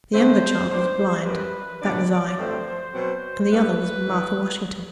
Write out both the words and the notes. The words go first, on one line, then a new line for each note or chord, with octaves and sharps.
The younger child was blind--that was I--and the other was Martha Washington.
D3 A3 C4 C5
B2 G3 D4 C5
F#2 E3 G3 B4
D3 F#3 B3 D4 D5
G2 D3 A3 C4 C5
B2 F#3 C4
G2 E3 B3 D4 B4
G2 E3 G3